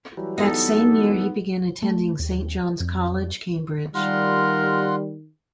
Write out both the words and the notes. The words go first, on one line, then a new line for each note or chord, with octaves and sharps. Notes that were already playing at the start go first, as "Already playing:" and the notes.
That same year he began attending Saint John's College, Cambridge.
E3 F#3 G3
B3 D#4 A4
A3
D#2
F2
D#3 G3 F4 A#4 F#5 C6